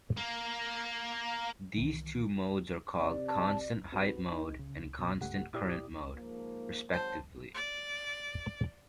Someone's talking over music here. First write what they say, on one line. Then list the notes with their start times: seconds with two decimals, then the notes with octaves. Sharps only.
These two modes are called constant height mode and constant current mode, respectively.
0.17 A#3
1.77 C2 D#3 E3
2.97 C3 D5
3.28 A5
3.92 C4 F#4 B4
4.31 D#4
4.59 C#3
4.99 B2
5.21 C#2 G2 A3 G4 F#5
5.53 A#2 E4 G4 D5 D6 D#6
6.14 G#2 F3 A#3
6.93 G#1 F#3 C5 A5
7.54 D5